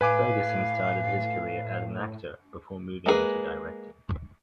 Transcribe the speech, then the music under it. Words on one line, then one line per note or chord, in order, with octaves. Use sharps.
Ferguson started his career as an actor, before moving into directing.
A2 B4 F5 G#5 D6
G#3 A#3 B3 G#4 B4